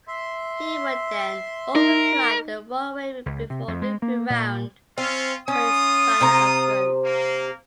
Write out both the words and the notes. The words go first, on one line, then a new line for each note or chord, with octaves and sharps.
He would then overfly the runway before looping round for his final approach.
E5 C6
D#4 A#4
C#2
C3
F2
G#3
A#3
A#2
C4 C#4 F4
C#4 F4 D#6
C3 C5 A#5
A#3